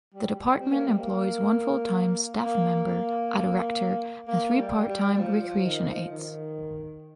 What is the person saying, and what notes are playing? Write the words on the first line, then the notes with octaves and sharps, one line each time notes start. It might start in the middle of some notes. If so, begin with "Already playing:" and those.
The department employs one full-time staff member, a director and three part-time recreation aides.
G3
G3
C4
A#3
G3
A#3
A#3
A#3
G3
G3
G3
F3
F3
D#3
F3
D#3